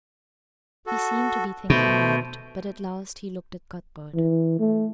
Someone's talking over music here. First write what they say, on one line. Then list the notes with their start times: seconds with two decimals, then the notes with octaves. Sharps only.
He seemed to be thinking a lot, but at last he looked at Cuthbert.
0.86 F#4 A4
1.70 B2 A3 C5
4.15 E3
4.59 A3